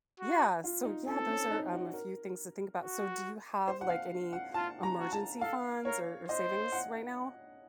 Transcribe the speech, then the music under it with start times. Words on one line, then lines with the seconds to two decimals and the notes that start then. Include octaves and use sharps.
Yeah, so yeah, those are, um, a few things to think about. So do you have like any emergency funds or or savings right now?
0.20 F#4
0.64 F4
0.85 D#4
1.08 C4 A4
1.29 C#4
1.51 D#4
1.72 F#4
1.94 A#4
2.81 F#4
3.68 C5
3.81 F#5
3.89 F5
4.33 F#5
4.54 F4 A5
4.83 A#5
4.99 F#4
5.12 A5
5.41 A4 F5
5.85 A#4 C#5
6.28 C5 D#5
6.72 F#5